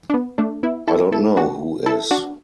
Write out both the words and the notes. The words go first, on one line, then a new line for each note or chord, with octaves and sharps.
I don't know who is.
D4
B3
A3 D4
B3 E4
E4 A4
E4 A4
D4 F#4
E4 A4
D4 F#4